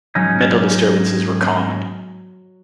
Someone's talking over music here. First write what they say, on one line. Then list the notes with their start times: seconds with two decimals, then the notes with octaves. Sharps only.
Mental disturbances were common.
0.15 G#2 F#3 C#4 D#4